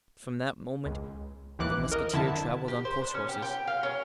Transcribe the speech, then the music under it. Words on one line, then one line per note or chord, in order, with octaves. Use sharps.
From that moment the musketeer travelled on post-horses.
C#2
A1 D#2 E3 D6 F#6
A#4 D#5
F2 D3 E4 E5 A5
G4
C5
D4
C#4
G4
G5
F5
C#4